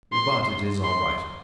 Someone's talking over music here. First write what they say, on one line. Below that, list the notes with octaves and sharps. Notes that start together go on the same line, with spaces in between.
But it is all right.
C6
C6